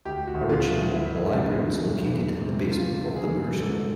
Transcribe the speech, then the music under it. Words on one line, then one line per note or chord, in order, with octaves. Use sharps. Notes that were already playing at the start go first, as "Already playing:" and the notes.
Originally the library was located in the basement of the Moore School.
D2 G4
F#4
D2
F4
F3
G1 E4
G2
G1
E2
E2
C3
C#3 F4
C#3
G#4
E3
G#2 A4